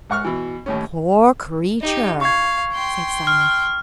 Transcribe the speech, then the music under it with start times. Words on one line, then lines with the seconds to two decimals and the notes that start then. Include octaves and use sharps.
"Poor creature!" said Simon.
0.10 G#2 F#5 C#6 F6
0.24 B2 E3
0.66 D#2 A2 C#4
1.81 D#4 G4
2.21 F5 C#6 G#6
2.73 G5 C6
3.27 F6